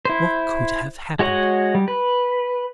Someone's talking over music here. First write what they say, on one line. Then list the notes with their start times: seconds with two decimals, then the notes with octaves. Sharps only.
What could have happened?
0.05 E4 C5
1.19 G#3 F#4 C#5 D#5 F#5
1.75 G3
1.88 B4